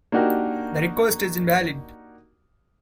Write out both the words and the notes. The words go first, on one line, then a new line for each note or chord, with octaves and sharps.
The request is invalid.
A#3 D4 D#4 F#4 G4 A#4